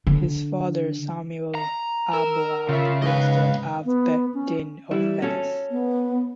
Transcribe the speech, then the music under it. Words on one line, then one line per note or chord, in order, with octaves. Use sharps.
His father Samuel Aboab was the Av Bet Din of Venice.
D3
A#5
A#4 E6
C#3 F4 E5
G#2 B4 D#5 F5
B3
C#4
E3 G3 E4
C#4 F#4 A4
B3